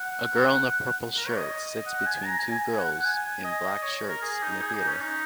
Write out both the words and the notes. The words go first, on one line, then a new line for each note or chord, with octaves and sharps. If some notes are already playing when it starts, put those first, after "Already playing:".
A girl in a purple shirt sits between two girls in black shirts in a theater.
Already playing: F#5
A#4
C#5
D#5
F#5
G#5
A#5
G#5
G#5
F#5
F#5
G#5
D#5
C#5
A#4
G#4
D#4
G#4
D#4
C#4
D#4